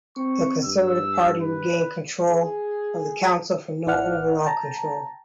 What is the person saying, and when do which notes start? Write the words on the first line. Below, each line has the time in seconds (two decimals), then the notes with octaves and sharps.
The Conservative Party regained control of the council from no overall control.
0.17 C4 C#6
0.65 G2 E6
1.42 B4
2.29 G#4
3.86 A1 E4 D5 F#5 F6
4.45 G5 A5 A#5